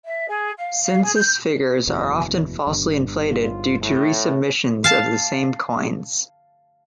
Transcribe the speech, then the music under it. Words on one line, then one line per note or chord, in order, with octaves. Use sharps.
Census figures are often falsely inflated due to resubmissions of the same coins.
E5
G#4
F5
F5
G#4
G6
F#1 E2 B2
G1 G2
G#1 A2 F4
A2
F5 A5